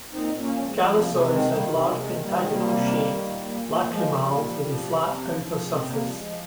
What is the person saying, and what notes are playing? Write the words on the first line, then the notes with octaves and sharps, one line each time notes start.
"Galesaurus" has large, pentagonal shaped lacrimals with a flat outer surface.
A#2 C4 D#4
A#2
A#3 C#4
F3 C#4
G#3 C4
F3
C3 G3 A#3
C3 G#3
D#3 G#3 C4
D#3 G3 A#3
C3 G3
C3 A#3
G#3
D#3
G3 A#3
D#3
G#3
C3 G3 A#3
C3
D#3
D#3
A#2
A#2
F3
F3
G#3
A#2 G3
A#2
F3
F3
C3
C3
F3
F3
C3 G#3
C4
C3
G3 A#3
F3 G3
G#3
F3